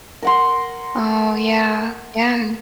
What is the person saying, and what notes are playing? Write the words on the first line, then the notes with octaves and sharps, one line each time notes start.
Oh, yeah, yeah.
A#4 F#5 C6